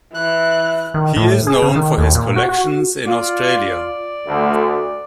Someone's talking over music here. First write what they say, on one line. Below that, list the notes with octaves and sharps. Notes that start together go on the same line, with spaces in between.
He is known for his collections in Australia.
E3 F#6
D#3
A2
G#4
C#3
D#3
D#2
A#2
F#4
F#4
F4 D5
D2